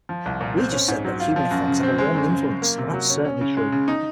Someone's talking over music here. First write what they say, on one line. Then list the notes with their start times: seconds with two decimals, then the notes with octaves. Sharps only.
We just said that human effects have a warming influence, and that's certainly true.
0.09 F3
0.26 C2
0.41 A#2
0.57 C4
0.73 C#4
0.88 G#2
1.05 F#3
1.20 F4
1.36 F3
1.51 F#2
1.68 C#3
1.83 C4
1.98 G#3
2.15 F#2
2.30 C#3
2.46 F#2
2.62 A#3
2.78 C3
2.93 F#3
3.10 C#4
3.25 C#4
3.41 C#3
3.57 G#3
3.72 C#3
3.88 D#4